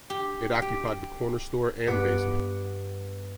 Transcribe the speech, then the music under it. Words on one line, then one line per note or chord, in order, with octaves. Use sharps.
It occupied the corner store and basement.
G4
G4
G2 B3 F#5 D6 F#6 B6